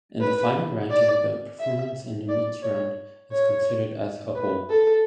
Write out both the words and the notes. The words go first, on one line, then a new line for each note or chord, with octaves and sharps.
In the final ranking, the performance in each round is considered as a whole.
B4
D5
E5
D5
C#5
C#5
B4
A4